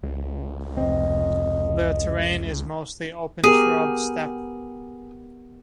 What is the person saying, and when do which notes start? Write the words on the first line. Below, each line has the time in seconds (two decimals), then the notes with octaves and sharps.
The terrain is mostly open shrub steppe.
0.03 C#2
0.77 F1 C4 D#5
3.44 B3 G4 G#4 A#4